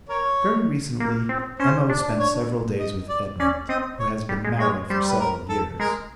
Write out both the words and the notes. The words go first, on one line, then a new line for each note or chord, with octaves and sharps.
Very recently M.O. spent several days with Edmund, who has been married for several years.
A#4 C#5
A#3
C4
C#4 C5
D4
C#5
D#5
D5
C#4 D5
C4 D#5
C#5
G3
G#3
G#3 C#5
G3 C5
B4
A#4
A4
G#3 A#4